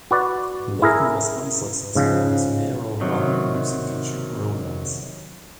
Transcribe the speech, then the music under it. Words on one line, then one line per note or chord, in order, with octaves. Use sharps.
Layton was unsuccessful in his mayoral run losing to June Rowlands.
F#4 B4 D5
E4 G#4 A#4
G#2 C#3 F3
C3 D#3 F#3